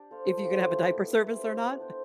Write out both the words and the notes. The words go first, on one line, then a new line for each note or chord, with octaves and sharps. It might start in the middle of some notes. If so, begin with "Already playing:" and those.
If you could have a diaper service or not?
Already playing: D4 G4 D5
A4 C5 F5
F3
A3 C4 G4
A3
E4 B4 E5
B3
E4 B4 E5
C4
G4 D5
B3
D4 G4 C5